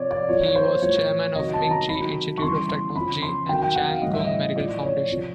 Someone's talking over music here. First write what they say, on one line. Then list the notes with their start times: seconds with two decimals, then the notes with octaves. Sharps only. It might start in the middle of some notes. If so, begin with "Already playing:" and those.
He was chairman of Ming-chi Institute of Technology, and Chang Gung Medical Foundation.
Already playing: C3 F3 C#5 D5
0.11 D5
0.28 A#2 F3 C#5
0.46 C#5
0.56 C5
0.82 A2 F3 C#5
1.36 C3 D#3 F#3 D#5
1.54 A5
1.64 A5
1.71 A#5
1.89 C3 D#3 F#3 B5
2.38 C#6
2.42 C#3 E3 G3 C6
2.69 C6
2.96 C#3 F3 B5
3.22 C6
3.49 C3 D#3 F#3 G5
3.62 G5
3.76 F#5
3.89 F5
4.02 A2 E3 G3 D#5
4.13 E5
4.25 D#5
4.55 A2 F3 D5
4.83 C#5
5.09 C3 F3